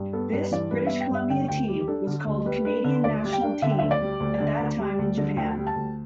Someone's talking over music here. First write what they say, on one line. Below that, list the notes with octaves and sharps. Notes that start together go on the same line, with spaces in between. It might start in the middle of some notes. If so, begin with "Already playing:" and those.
This British Columbia team was called "Canadian national team" at that time in Japan.
Already playing: G2
B3 A4
G2 B4
E3 D5
G2 B4
B3 E5
G5
G2 E5
D3 G5
D2 G5
G3 G4
G4
D4 A4
D3
D2
G3 B4
D4 B4
D3 B4
D2 D5
G3
G5
D4
D3 E5
G5
D2 E5
D5
G3
D2
D3
D2
G3
D2
D3
D2 G5
G3
A5
D2